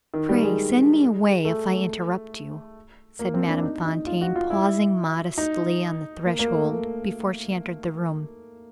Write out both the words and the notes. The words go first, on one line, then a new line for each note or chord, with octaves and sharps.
"Pray send me away, if I interrupt you," said Madame Fontaine, pausing modestly on the threshold before she entered the room.
D#3
G3
G#3
A3
A#3
C4
D4
D#4
D#4
F4
F#4
F4
E4
D#4
A#3
A#3
A3